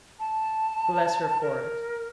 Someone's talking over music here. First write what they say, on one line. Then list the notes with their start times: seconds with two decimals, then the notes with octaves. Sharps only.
Bless her for it!
0.20 A5
1.41 A#4